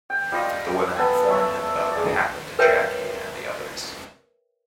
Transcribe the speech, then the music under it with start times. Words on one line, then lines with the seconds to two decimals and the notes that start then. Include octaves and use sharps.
The women inform him about what happened to Jackie and the others.
0.10 G5
0.32 G3 F4 D#5
0.96 B3 A4 G#5
1.28 A4 C#5 E5
1.92 G#4 D5
2.59 A#4 B4 C#5 E5 G5